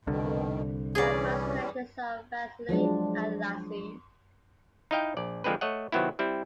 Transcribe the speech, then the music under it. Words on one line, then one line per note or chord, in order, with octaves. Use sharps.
There are bus connections to Vaslui and Iași.
C2 F2 B2 D3 D#3
E3 G3 C#4 G#4 D5
F3 F#3 G#3 D4
D#4 E4 D#5 F5 G5
A#1 D5
D3 F3 G#3 C4 D4 B4
A3 C#5 D#5 F#5
C3 D#3 F#3 B3 C4 E4
G3 C4 E4